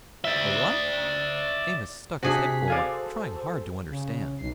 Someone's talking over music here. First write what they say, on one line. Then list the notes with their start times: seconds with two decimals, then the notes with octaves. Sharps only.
"A what?" Amos stuck his head forward, trying hard to understand.
0.24 D5 E5
2.23 C3 D4 F#4 G#4 C5 B6
2.68 A4 C5 D5 F5 G#5
3.90 C#3
4.38 B1 C7